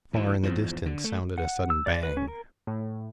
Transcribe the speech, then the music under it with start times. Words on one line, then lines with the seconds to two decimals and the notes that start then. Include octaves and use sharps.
Far in the distance sounded a sudden bang.
0.13 D2 E3
0.43 E2 G#2 F3
0.86 D3
1.04 A3
1.38 F#5
1.70 E6
1.86 D5
2.03 B4
2.17 C#4
2.28 A#4
2.67 A2